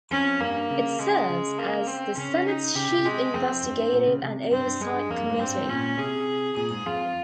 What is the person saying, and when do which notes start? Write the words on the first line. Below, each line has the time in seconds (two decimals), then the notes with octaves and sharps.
It serves as the Senate's chief investigative and oversight committee.
0.11 F2 C#4
0.41 G2 A#3
0.71 C#3
1.00 C#3 G#3
1.29 C#3
1.58 A#3
1.87 C4
2.16 C#3 C#4
2.46 D#4
2.75 C#3 G4
2.91 C3
2.98 C#3
3.05 C3 G#3
3.34 F2 C4
3.63 G2
3.93 A#2
4.07 C#3
4.22 C3
4.52 G2 C4
4.66 G2
4.80 G2 G#3
5.10 F2 A#3
5.20 G2
5.30 G#2
5.39 G2 C4
5.54 G#2
5.68 A#2 C#4
5.97 C3 G#4
6.56 A#2 G#4
6.71 G#2
6.86 F2 F4